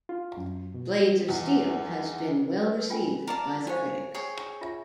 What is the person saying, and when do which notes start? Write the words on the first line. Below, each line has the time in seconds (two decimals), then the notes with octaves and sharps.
Blades of Steel has been well received by critics.
0.09 F4
0.37 F#2
0.74 B2
1.29 E2
2.63 B4
2.90 F4 G5 G#5
3.27 A#4 D5 A5
3.67 G4 C5 C#5 F5 G#5
4.14 G#4 C#5 G5
4.61 F4 E5